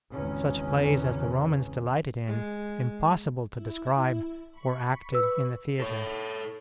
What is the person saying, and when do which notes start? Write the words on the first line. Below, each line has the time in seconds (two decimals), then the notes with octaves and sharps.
Such plays as the Romans delighted in, impossible to describe, were acted in the theatre.
0.12 G#1 E2 C#3 C#4
2.27 G#3
3.55 E4
4.52 B5 C#6
5.12 B4 E6
5.80 A4 C#5